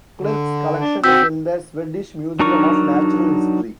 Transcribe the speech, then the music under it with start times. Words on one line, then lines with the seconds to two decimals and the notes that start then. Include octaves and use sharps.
Clerck's collection is in the Swedish Museum of Natural History.
0.21 D3
0.77 D4
1.04 C4 F#4 E6 G6 B6
2.39 F#3 D4 D#4 A#4 C#6